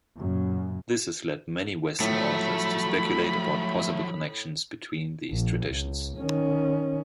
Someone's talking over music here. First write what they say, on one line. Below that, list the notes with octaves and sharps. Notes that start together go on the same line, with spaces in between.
This has led many western authors to speculate about possible connections between these traditions.
F#2 A#2 C#3
A2 F3 F#3 A3 B5
A#1
C#2
D#3 C#4